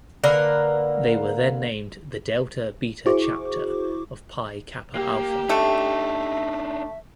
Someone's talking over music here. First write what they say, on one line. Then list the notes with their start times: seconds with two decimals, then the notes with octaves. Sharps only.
They were then named the Delta Beta Chapter of Pi Kappa Alpha.
0.24 D3 A#3 A#4 B4
3.06 E4 F#4 G#4 C5 C#6 D6
4.95 A#3 G4
5.49 A3 D4 D#4 A4 E5